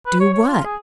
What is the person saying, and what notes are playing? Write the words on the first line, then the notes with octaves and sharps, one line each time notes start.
"Do what?"
B4
C#5
C#5
F4
G#4